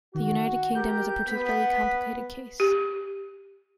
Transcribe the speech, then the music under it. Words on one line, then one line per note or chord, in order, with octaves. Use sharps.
The United Kingdom is a particularly complicated case.
D#3 F#4
G4 A#4 G6
B3 B6
G4